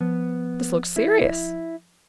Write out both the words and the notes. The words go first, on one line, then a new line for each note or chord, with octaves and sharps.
This looked serious.
F3 B3
E4